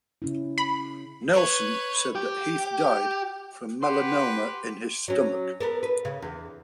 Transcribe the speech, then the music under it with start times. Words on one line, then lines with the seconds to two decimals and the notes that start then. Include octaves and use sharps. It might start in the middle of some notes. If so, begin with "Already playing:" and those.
Nelson said that Heath died from melanoma in his stomach.
0.22 C#3 C#4 E4
0.58 B5
1.32 B4 C#5
2.15 G4
3.83 G4 B4 F#5 C6
5.08 F#3 C#4
5.60 B3 A4 A#4
5.83 B4
6.05 C#3
6.22 E2